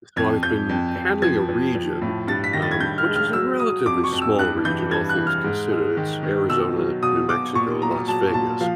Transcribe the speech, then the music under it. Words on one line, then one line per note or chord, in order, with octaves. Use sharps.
So, I've been handling a region, um, which is a relatively small region, all things considered, it's Arizona, New Mexico, Las Vegas.
F2 G#6
F2 G6
F2
F2
F3 G#6
F3
F3
A2
G2 A6
B6
D#3 A#6
A6
G#6
G2 G6
F6
G#3
F6
F#3 E6
F#3 D#6
F2 D6
C#6
F2
E6
G2 F#6
E3 G6
G2 G#6
F#6
E3
F6
G#2
G#3
D#3
D#3
B2 E6
F#3
B2 D#6
B2 D6
A#2 C#6
F#3 A#5
F#3 A5
A#2 A5
F3 F5